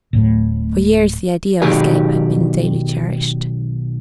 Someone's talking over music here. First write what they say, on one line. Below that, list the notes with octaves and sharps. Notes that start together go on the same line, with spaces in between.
For years the idea of escape had been daily cherished.
D1 A2
B1 D#3 F#3 G4 G#4 G#5